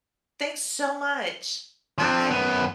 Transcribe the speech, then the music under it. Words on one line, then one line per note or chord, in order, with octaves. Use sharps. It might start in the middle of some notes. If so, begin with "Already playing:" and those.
thanks so much. Bye.
F3 C4
F#2 B3